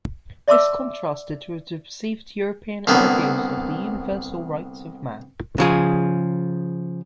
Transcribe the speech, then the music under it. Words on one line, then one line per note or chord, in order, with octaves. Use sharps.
This contrasted with perceived European ideals of the universal rights of man.
D5 E5 A5 C6 D6 E6
C2 D3 A#3 B3
C#3 F3 G#4